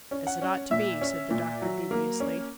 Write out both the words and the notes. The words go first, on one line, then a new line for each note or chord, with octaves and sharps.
"As it ought to be," said the doctor dubiously.
C#4
F#5
C#4
A#2 E5
C#4
A#2
F#3
A#3
C#4